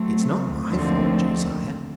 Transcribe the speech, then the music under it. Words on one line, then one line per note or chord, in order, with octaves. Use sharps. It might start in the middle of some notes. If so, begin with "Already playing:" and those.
It’s not my fault, Josiah.
Already playing: F#3 A3 C4
D#2 D3 F3 A3 C4